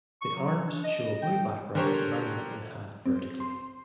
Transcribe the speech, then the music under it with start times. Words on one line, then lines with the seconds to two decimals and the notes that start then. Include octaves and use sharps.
The arms show a blue background divided in half vertically.
0.22 C#6
0.36 F#3
0.66 D4
0.84 D#5
1.22 G5
1.75 D3 G4 A#4 C5 C#5
3.06 C4
3.40 C6